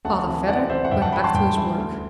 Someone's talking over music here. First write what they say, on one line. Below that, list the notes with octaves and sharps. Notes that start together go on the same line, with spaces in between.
Father Vedder went back to his work.
D2 F#5 A5
C3 E3
D2 D5 F#5
C3 E3 C5 E5
F#5
G2 E5 G5
F#5 A5
E3 G5 B5
A5 C6
G2 G5 B5
E3
D2